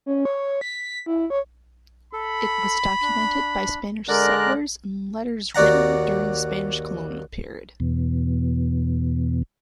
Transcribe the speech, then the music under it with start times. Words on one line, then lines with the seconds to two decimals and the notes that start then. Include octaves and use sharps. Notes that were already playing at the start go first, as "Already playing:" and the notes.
It was documented by Spanish settlers in letters written during the Spanish Colonial period.
0.06 C#4
0.25 C#5
0.61 B6
1.06 E4
1.30 C#5
2.13 A4 B5
3.02 D4
4.08 D3 G#3 A#4 D5 F#6
5.55 D#2 F#4 D5 F#5 A#5
7.80 E2 B2